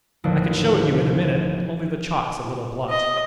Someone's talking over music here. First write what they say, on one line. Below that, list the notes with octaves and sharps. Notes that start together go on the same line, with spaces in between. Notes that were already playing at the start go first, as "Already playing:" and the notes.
"I could show it you in a minute, only the chalk's a little blunt."
A1 D#2 D3 F3
D#5